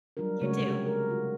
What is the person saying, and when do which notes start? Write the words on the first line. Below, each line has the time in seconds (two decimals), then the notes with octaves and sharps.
You, too.
0.17 F#3 G3 D4 F4 A#4
0.41 C#3 G#3 A3 F#4 C#5
0.59 C3 G4
0.87 A#4
1.10 F4 F#4